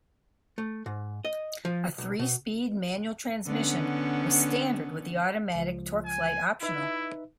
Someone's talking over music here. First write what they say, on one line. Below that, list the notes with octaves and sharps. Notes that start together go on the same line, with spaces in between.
A three-speed manual transmission was standard with the automatic TorqueFlite optional.
A3
G#2
D#5
F3
B1
B2
D3 B3 C#4
C#2 F3
G#5
D#4 E4 B4 E5